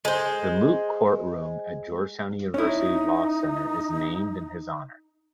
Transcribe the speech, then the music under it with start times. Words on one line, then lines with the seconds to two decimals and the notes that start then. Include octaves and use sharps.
The moot court room at Georgetown University Law Center is named in his honor.
0.05 G#3 C5
2.54 C#4 D#4 E4